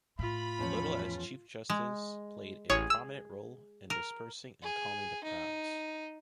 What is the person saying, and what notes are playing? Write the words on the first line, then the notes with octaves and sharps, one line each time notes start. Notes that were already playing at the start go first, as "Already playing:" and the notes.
Little, as Chief Justice, played a prominent role in dispersing and calming the crowds.
A2 F4 B5
E2 F3 C#4
G#3
A1 G#4 C#5
E6
A#4
G#4
D#4